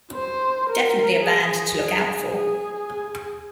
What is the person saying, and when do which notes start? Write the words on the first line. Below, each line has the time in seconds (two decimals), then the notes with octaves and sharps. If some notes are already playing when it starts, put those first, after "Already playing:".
Definitely a band to look out for.
0.15 C5
0.69 A#4
1.23 G#4
1.77 G#4
2.31 G#4